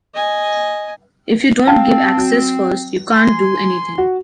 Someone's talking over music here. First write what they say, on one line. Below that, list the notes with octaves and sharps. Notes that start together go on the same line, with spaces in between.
If you don’t give access first, you can’t do anything.
D#5 G#5
C4 F5 G5 A5
F#3
G#5 C6
F#4